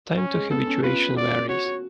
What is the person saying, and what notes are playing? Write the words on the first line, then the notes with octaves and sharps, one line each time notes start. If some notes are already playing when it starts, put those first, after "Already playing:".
Time to habituation varies.
C#4
G#3
B3 A4
C#4
F4 B4
F#4 D5
F#4 C#5
F#4